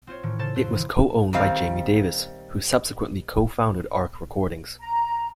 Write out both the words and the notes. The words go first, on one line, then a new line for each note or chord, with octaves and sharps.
It was co-owned by Jamie Davis, who subsequently co-founded Ark Recordings.
C4 F4 C5 C#5
A2 D#3 E3 C#4
C#3 A4 C5 A5 A6
F2 C5
D#3 E3
D#3 G3 C4 F5
A#5